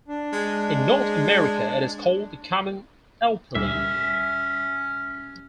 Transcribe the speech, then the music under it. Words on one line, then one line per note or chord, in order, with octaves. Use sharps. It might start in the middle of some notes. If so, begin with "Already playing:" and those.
In North America, it is called the common alplily.
D4
G#3
D2 A#2 G3 C#4 E5